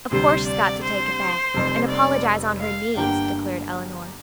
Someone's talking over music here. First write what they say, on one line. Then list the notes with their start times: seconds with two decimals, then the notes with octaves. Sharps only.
"Of course she's got to take it back, and apologize on her knees," declared Elinor.
0.11 D2 C3 G3 C5
0.46 D5
0.83 C5
1.54 F1 F2 C3 G3 C4
1.89 D5
2.60 F5
2.96 G1 G2 D3 A#3 G4 G5